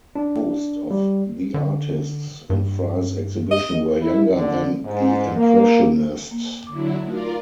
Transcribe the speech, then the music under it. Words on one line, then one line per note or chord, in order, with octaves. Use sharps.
Most of the artists in Fry's exhibition were younger than the Impressionists.
D4
G3
D3
G2
D#5
E4
D3
G#2
A#3
A#3
D3 F#3 E4 D6
A3 D#4 F4 F#4 A#4 D5